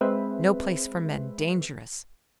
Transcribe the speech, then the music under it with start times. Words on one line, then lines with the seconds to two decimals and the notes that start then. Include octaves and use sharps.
No place for men--dangerous.
0.01 G#3 C4 B4 C5 E5